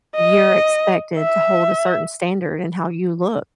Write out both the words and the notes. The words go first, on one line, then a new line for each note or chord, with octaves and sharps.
you're expected to hold a certain standard in how you look,
D#5
E5